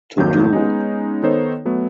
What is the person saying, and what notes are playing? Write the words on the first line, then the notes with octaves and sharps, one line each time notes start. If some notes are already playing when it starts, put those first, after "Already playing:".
To do.
G#1 F2 D#3 F#3 A#3 G6
G#3 B3 C#4 D#4
D#3 B3 D#4 A4 C5 C#5
F#3 A3 B3